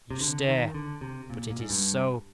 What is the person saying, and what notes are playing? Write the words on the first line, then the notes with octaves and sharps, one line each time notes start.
You stare. But it is so.
C3
D3
D#3
D3
C3
A#2
A#2
G#2
G2